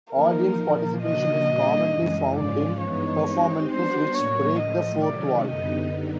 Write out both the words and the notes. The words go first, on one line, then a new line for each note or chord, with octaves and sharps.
Audience participation is commonly found in performances which break the fourth wall.
F3 A#3 D#4 A#4
A#2 F3 A#3
C#3 F3 A#3 D4 F#4 D#5
A#2 G3 A#3 D4
F#2 C#3 E3 G#3
G#2 F3 G#3 C#4 F4 D5
G2 E3 G#3 B3 D#4 C#5
G#3 C4 D#4 G4
G3 B3 D4 F#4 C5
A2 F#3 A#3 C#5
A2 F3 A3 D#5
C3 D#3 F#3 A3 C#4 D5
F#2 D3 G3 B3 D#4 D#5